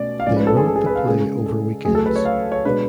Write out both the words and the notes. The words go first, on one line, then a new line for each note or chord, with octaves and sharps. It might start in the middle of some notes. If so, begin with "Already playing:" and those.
They wrote the play over weekends.
Already playing: B2 A3 C#4 D5
F5
G#2 F3 A3 C#4 D5
B4
A4
G#4
A4
G#4
B4
F5
C#3 G#3 C#4 G#4
A4
D2 C#3 F#3 A3 G#4
A4
B4
C#5
F5
C#5
B2 G#3 D4 B4